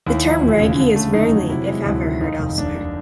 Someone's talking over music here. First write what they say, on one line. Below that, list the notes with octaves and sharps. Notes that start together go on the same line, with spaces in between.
The term "raggie" is rarely, if ever, heard elsewhere.
D#2 E4
F3
E1
C#3
D3
A3
F2 D#4
F#3
C3 E4
G#3
D2 E4
D#3
D#2 D#4
F1
F1 D4
D#3